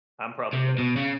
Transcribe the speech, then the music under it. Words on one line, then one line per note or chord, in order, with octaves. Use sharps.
I'm probably gonna.
C3
B2
C#3